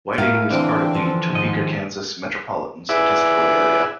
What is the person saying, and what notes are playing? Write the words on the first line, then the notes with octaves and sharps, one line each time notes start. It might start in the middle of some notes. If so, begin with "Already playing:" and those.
Whiting is part of the Topeka, Kansas Metropolitan Statistical Area.
A2 E4 A#4 F5
D3 E3 C4 D4
F3
G#2 D#3 D#5
E4 G#4 B4 D5 E5 F#5